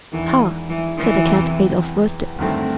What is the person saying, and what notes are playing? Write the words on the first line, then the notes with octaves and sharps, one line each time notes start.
"Ha!" said the Cat-made-of-worsted.
E1 E2 D#3 E3
E3
E3
E2 C3 F#3
G1 G2 D#3 F#3 A3 C4